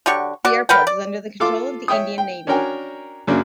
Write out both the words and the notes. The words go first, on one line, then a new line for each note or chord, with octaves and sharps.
The airport is under the control of the Indian Navy.
D3 F#3 G4 C#6
F#4 D5
A#4 B4 F#5 G5
D5
F4 A4 F5 C6 D6
C#5 E5 G5 D#6
G5
C#4 D4 F#4 A#4 G5 G#5
F#2 C#3 F#3 A#3 D4